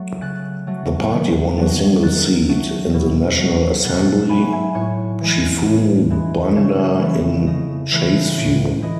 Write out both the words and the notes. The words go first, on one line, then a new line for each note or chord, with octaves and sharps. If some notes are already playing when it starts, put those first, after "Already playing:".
The party won a single seat in the National Assembly, Chifumu Banda in Chasefu.
Already playing: F#3 A3
C#3 F#6 A6
F#3 A3
D#3
F#3 A3
D#3 F#6 A6
F#3 A3
B2
F#3 A3
B2 F#6 A6
F#3 A3 G#5 B5
E5 G#5
A2 C#5
E3 G#3
A2
E3 G#3
C#3 C#5
C#5
E3 A3 C#5 E5
C#3 D#5
E3 A3 C#5
A2
E3 D#5